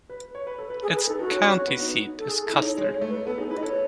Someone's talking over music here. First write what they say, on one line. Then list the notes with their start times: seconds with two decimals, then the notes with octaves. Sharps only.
Its county seat is Custer.
0.10 B4
0.35 C#5
0.47 B4
0.58 A4
0.70 B4
0.82 G#4 A4
0.95 A4 B4
1.07 D#4 A4
1.19 D#4 F#4
1.31 C#4
1.43 C#4
1.56 C#4
1.68 B3
1.80 D#4
2.18 A4
2.29 G#4
2.45 E4 A4
2.53 D#4
2.61 C#5
2.77 G#3 C#5
2.94 C#5
3.01 A3
3.10 B4
3.26 B3 A4
3.38 D#4 G#4
3.50 E4 B4
3.57 D#5
3.63 A4 C#5